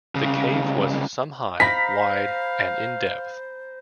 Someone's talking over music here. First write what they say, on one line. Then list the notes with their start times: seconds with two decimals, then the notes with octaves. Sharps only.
The cave was some high, wide and in depth.
0.15 C2 C#3
1.60 C5 F5 A#5 B5 B6